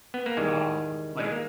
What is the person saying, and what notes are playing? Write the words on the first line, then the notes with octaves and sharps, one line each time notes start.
Um, like
B3
A#3
E2 D#3 G3 G#3
G#3
A#3